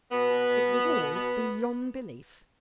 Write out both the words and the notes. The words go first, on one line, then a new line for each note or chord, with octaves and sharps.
It was all beyond belief!
B2 B3
B2
B2
B2
B2
B2
B2 B3